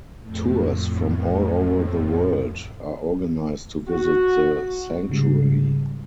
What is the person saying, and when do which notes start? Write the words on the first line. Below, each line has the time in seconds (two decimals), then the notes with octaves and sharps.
Tours from all over the world are organized to visit the Sanctuary.
0.22 F2 A2
3.89 F#4
5.09 G#2 C#3 G3